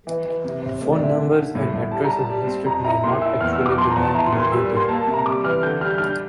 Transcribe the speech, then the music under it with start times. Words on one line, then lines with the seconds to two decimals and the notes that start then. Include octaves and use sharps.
Phone numbers and addresses listed may not actually belong to the pupil.
0.07 E3
0.25 E3
0.44 C3
0.62 C3
0.81 A3
0.92 D5
0.99 A#2 E5
1.18 D3
1.36 D3
1.55 A2
1.74 A2
1.91 G3 A5
2.04 A#5
2.10 G3
2.17 A5
2.29 G3
2.47 C4
2.66 F2 A#5
2.85 E4 A#5
3.03 A#2 C6
3.21 E4 E6
3.40 E2 F6
3.53 E6
3.59 E2
3.66 D6
3.78 F3 C6
3.90 A#5
3.96 E2
4.03 A5
4.14 E4 A#5
4.26 C6
4.32 A#2
4.39 C6
4.52 G3 E6
4.70 A#3
4.77 C6
4.88 A#3 A5
5.01 A5
5.07 C3
5.14 A#5
5.26 G3 D6
5.44 E3 F6
5.63 D3 G6
5.81 G3 F6
5.90 G6
5.98 D4 F6
6.07 G6